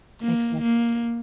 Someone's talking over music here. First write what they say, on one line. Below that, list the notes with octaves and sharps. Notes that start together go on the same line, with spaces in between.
Makes sen
A#3
A#3